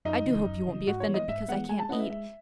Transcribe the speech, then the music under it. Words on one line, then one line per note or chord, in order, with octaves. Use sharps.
I do hope you won't be offended because I can't eat.
F#2 D#4
C#3 E3
F#2
C#3 E3
G#2 F#4
C#5
E3 G#3 B3
D#5
G#2 E5
E3 G#3 B3 F#5
G#3 G#5
A5
C#4 E4 B4 D#5 F#5
E5
G#3 E5